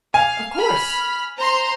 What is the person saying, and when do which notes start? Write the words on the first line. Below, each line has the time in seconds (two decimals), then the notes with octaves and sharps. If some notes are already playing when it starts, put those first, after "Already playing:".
"Of course."
0.14 F5 G#5
0.54 B5 F6
1.37 C5 A#5 C6